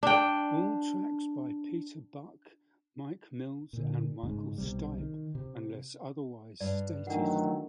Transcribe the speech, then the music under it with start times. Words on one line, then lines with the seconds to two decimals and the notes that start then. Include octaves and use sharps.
All tracks by Peter Buck, Mike Mills, and Michael Stipe unless otherwise stated.
0.03 D4 G5
3.73 A#2 D3
4.23 G#2 C#3 G#3
4.58 B1 C3 G3
4.98 D#3
5.35 C3
6.60 G2 D5
7.07 D#3 E3 F#3 A3 D4 F#5